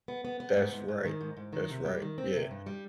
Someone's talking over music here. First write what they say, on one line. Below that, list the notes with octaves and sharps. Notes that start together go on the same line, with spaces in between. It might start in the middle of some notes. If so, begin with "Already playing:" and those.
That's right. That's right. Yeah,
B3
B3
B3
G#2
G#2
G#2
D#3
G#2
G#2
D#3
C3
G3
D#3
C4
C3
G2
G3